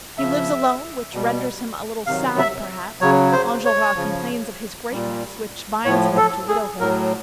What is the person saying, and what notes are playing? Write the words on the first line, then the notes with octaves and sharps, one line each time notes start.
He lives alone, which renders him a little sad, perhaps; Enjolras complains of his greatness, which binds him to widowhood.
C#3 F3 E5
B2 G3
C3 D#3 F#3 F5
E5
C#3 F#3 C#5
C5
C#5
C#3 F3
A#2 G3
A2 F3 C#5
A4
G#4
A2 F#3 A#4